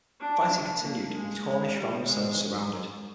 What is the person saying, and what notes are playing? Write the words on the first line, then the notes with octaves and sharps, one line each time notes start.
Fighting continued and the Cornish found themselves surrounded.
D4
D4
A#3
G#3
G#3
G3
G#3